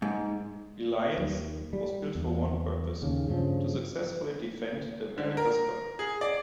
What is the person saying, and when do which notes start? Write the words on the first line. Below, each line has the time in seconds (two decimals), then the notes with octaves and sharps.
"Reliance" was built for one purpose: to successfully defend the America's Cup.
0.02 G#2
1.17 D#2
1.73 G3
2.15 E2
3.02 D#2 C#3
3.28 G2 C#3 F3
5.18 D3
5.37 A#4
5.99 G#4
6.21 D5